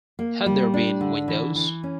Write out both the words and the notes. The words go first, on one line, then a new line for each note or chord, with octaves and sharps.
Had there been windows?
A#3
G3
D4
D3
E3
E3
C#4